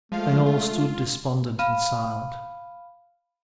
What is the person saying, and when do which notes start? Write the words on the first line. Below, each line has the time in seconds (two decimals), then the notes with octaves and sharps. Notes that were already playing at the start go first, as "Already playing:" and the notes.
They all stood despondent and silent.
0.12 F3 G#3 A3 F4 F5
0.46 F4
1.59 F5 B5 F6 D#7